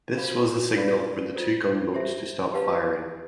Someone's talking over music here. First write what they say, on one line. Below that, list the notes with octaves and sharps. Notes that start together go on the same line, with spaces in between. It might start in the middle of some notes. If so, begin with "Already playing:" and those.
This was the signal for the two gunboats to stop firing.
C5 F5 B5
B4 D5 F5 B5
F4 A4 C5
G4 C5 E5
G4 B4 F5 A5